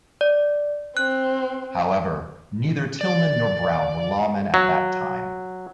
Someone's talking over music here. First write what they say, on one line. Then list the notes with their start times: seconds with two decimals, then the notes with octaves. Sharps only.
However, neither Tilghman nor Brown were lawmen at that time.
0.21 D5
0.97 C4 F#6
3.01 D5
4.54 F#3